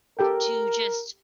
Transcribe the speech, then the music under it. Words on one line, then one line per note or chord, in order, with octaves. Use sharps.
to, just,
G4 A4 A#4 G5